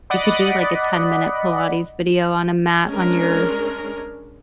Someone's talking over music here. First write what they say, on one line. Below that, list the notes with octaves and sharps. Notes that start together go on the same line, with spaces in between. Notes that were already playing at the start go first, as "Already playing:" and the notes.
you could do, like, a ten-minute pilates video on a mat on your
D5 D#5 F#5 B5
G#3 C#4 D4 A#4